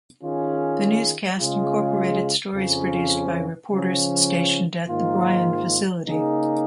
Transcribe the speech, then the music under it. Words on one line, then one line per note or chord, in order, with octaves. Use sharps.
The newscast incorporated stories produced by reporters stationed at the Bryan facility.
D#3 C#4 F4 G#4
C#3 G#3 F4 G#4
F2 C#3 F3 C#4
C#3 F3 C#4
G#2 D#3 A#3 F4
C#3 A#3 D#4 G#4